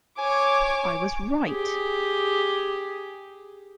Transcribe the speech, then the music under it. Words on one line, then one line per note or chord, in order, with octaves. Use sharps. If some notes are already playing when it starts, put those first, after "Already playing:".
I was right!
C#5 G#5 D6
G4 G#4